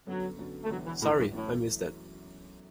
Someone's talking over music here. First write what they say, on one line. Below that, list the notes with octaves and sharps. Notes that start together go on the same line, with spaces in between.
Sorry, I missed that.
F#2 D3 F#3 B3 F#4 A4
F#2 D3 B3 F#4 A4
A3
E1 E2 D3 F#3 B3 E4
E3
E1 E2 A2 D3 B3 E4
F#2
F#2 A2 E3 A3